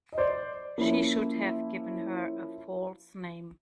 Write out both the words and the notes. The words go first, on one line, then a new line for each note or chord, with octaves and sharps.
She should have given her a false name.
D#5
C5 D5
F3 A#3 C#4 E4